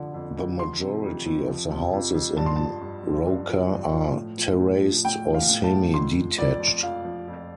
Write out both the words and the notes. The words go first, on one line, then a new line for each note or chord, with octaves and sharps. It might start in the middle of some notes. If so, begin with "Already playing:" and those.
The majority of the houses in Roker are terraced or semi-detached.
Already playing: F2 D3 F3
F2
F2
F3 C6
C3
F2
F2
F3
C3
F2
F2
G2 A5
C6
F3 A5
G2
F3
G2
F3
G2
F3
A2
F3
A2
F3
A2 G5
F3
F5
A2
A5
F3
F2 C6
F3
F2 D5
F3
F2 F5
F3
F2